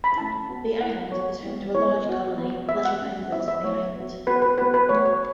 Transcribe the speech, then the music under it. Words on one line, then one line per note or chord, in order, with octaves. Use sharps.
The island is home to a large colony of little penguins on the island.
B5
A3 C#4 E4 A5
B3 F#4
B3 E4 F#5
B3 F#4 C#5
B3 E4
B3 E4 C#5
B3 F#4
B3 F#4
B3 F#4 E5
F#5
A3 C#4 F#4
B3 E4 E5
E5
A3 E4 C#5
B3 F#4
B3 F#4 B4
B4
B3 F#4 B4
B4
A3 F#4 C#5
C#5